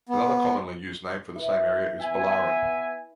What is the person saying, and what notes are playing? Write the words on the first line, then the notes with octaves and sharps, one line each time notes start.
Another commonly used name for the same area is Bullaren.
B3
E4 B4
B3 E5 G#5